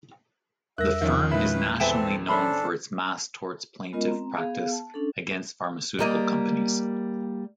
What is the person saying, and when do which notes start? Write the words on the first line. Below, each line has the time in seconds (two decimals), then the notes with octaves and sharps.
The firm is nationally known for its mass torts plaintiff practice against pharmaceutical companies.
0.78 E2 G3 A#4 E5 F#6 A#6
1.02 E2 D#3 F3 C#4 F4 C#5
1.31 A#2 G#3 D#4 E4 B4
1.80 E2 C4 A4 B4 E5 G5 G#5 E7
2.29 C#4 D4 A4 C5 B5
3.93 G#3 B3 C#4 F4 A#4 D#5
4.07 C4 A#5
4.37 B3 G#4 F5
4.72 A5
4.94 C#4 D4 A4
5.99 G3 A#3 D#5